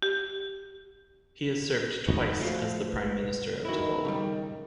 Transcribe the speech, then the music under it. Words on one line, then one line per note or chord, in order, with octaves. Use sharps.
He has served twice as the Prime Minister of Tuvalu.
G4
B3 D#4 F#4
F3 A3 F#4 F5
B4
D#3 E4 F#4
C#3 G3